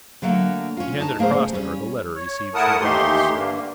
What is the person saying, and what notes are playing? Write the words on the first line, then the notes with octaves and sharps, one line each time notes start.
He handed across to her the letter received from Giles.
D3 F#3 A3 A#3
C#4 F4
D#4 A5
A2 A#3 G#4 A#4 C5
C#3
G3 C#4
C#5
A2 E4 A#4 F#5 A5 D#6
D#2 E3 A3 D#4 G4 C6
G2 D3 A#3